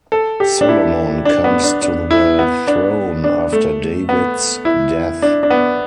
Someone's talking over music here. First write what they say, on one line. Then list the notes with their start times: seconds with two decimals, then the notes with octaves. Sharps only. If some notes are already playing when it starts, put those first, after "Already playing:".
Solomon comes to the throne after David's death.
0.12 A4
0.40 G4
0.61 D4
0.69 E4
1.25 D4
1.44 B3
1.64 D4
1.82 D4
2.11 E4
2.39 B3
2.67 D4
3.24 D4
3.53 A3
4.09 B3
4.65 E4
5.22 D4
5.43 D4
5.50 B3